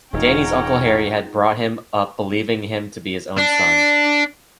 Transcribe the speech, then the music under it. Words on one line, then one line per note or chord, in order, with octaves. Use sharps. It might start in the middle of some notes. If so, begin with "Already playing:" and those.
Danny's Uncle Harry had brought him up believing him to be his own son.
E1 G#3 C#4 D#4 F4 F#5 G5 A#5
D4